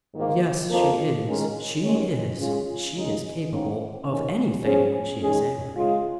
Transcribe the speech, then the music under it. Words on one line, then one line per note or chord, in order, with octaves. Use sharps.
"Yes, she is! she is! she is capable of anything when she is angry!"
G#2 D#3 A#3 F4
F2 F3 A#3 F4 A#4
D#3 G#3 C#4 A#4
D#2 D#3 G#3 C#4
C#3 G#3 C#4 F4 G#4
D#2 C#3 G#3 D#4
G#2 D#3 A#3 C#4
D#2 D#3 C#4
F3 C#4 G#4
D#3 G#3 C#4 G#4
C#3 G#3 F4 G#4